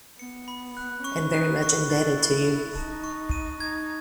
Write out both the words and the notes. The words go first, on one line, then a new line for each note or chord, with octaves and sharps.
And very much indebted to you.
B3 C#7
B5
F#6
C#4 C#6
D#4 F#6
E4 C#6
E4 A6
C#6
F#6
D#4 A5
C#6
D#7
D#4 G#6